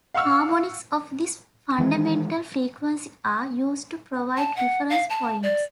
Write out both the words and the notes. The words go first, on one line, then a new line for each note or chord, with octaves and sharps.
Harmonics of this fundamental frequency are used to provide reference points.
F5 F#5 C#6 E6 F6
D#3 E3 G#3
A5
F#5
F5
A5
D5